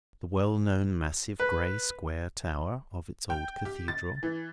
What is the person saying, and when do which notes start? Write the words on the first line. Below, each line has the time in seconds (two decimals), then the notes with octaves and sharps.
The well-known massive gray square tower of its old Cathedral?
1.40 B4
3.30 G5
3.65 G4
3.88 A6
4.23 E3